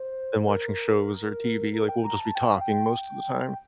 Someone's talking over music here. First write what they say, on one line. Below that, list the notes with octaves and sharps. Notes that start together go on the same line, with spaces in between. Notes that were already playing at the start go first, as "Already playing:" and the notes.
than watching shows or TV, like, we'll just be talking most of the time.
Already playing: C5
A#4
A#4
G5
A#5
A5
G5
F5
G5